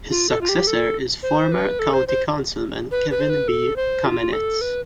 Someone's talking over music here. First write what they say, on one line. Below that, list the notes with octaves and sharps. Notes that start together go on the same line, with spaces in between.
His successor is former county councilman Kevin B. Kamenetz.
F4
A4
F4
G4
A4
C5
B4
A4
C5
C5
B4
B4
C5
B4
A4
C5
F4
A4
B4